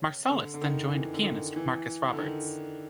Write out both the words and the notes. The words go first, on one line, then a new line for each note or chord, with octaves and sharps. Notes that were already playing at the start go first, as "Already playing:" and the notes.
Marsalis then joined pianist Marcus Roberts.
Already playing: C#3
D3
D3
D#3
E3
D3
D#3
E3
D3
D#3